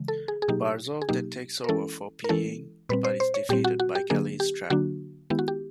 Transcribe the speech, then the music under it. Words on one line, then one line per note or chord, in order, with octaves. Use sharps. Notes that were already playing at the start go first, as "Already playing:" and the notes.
Barzov then takes over for Pi Ying, but is defeated by Kelly's trap.
Already playing: C#3 E3 G#3
A4
G#4
G#4
B2 F#3 A#3 D#4 G4
G#4
B2 F#3 A#3 D#4 G4
A#4
E3 G#3 C#4 E4 A4
A#4
E3 G#3 C#4 E4 A4
A#2 G3 C4 B4
C5
C5
C#5
A#2 G3 C4 G4
F#4
F#4
G4
D3 F#3 A#3 D4 G#4
G4
D3 F#3 A#3 D4 F#4
D#3 G#3 B3 E4 G4
F#4
G4